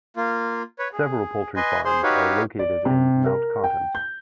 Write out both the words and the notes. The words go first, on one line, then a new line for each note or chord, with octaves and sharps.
Several poultry farms are located in Mount Cotton.
A#3 F4
B4 C#5
G#4
B4 D#5 G#5 C6
G#4 C5 C6
D#4 F#4 G4 B4 C#5 F5
D5
C3
A#4
G5
G6